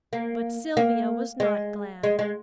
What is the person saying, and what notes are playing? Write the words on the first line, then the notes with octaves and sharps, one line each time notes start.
But Sylvia was not glad.
A#3
A#3
G#3
G#3
G#3